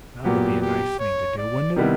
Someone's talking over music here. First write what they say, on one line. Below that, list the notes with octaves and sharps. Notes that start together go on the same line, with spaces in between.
That would be a nice thing to do, wouldn't it?
A#2 F#3 B3 G4
G4
C#5
D5
C3 D#3 G3 B3 E4